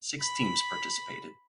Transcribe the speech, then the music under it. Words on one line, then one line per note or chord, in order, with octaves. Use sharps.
Six teams participated.
B5